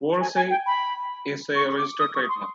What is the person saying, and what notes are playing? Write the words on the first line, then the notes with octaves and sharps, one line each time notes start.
'Wolsey' is a registered trademark.
G#5
G#5
G5
B5
C#6
D6
D#6
C#6
C6